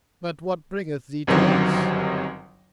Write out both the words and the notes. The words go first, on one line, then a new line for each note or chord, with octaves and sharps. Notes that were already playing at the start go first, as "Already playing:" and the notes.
But what bringeth thee to us?
G1 F#2 C3 D#3 F#3